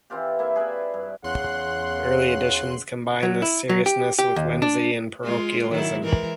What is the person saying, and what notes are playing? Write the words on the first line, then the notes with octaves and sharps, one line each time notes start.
Early editions combine this seriousness with whimsy and parochialism.
E3 C4 F4 G4
A#3 E4 E5
G#4 B4 D5 E5
G2
E2 C#3 F#5 C6 F#6
F#3
E4
F#3
G4
G4
D#2
D4
G#3 F4
D#3 F#3 E4
E3 G#3 A#4